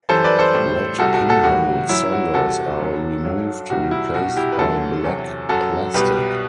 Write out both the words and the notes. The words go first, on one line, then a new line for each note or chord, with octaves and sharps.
Red pin-holed sensors are removed, replaced by black plastic.
F#2 E3 G3 A4 C5
B4 D5
A4 C5
A2 G3
C2 C3 G3 F#4 A4
F#4 A4
F#4 A4
A2 E3 G3 F#4
F#2 F#3 E4
F#4
E2 C3 G3 F#4 A4
F#2 F#3
G2 F#3
C2 C3 G3 F#4
E4
C2 B2 G3 F#4
E4 G4
B4
D2 D3 F#3 F#4 A4
E2 C3 F#3
F#2 F#3 F#4 A4
C2 B2 G3 G4 B4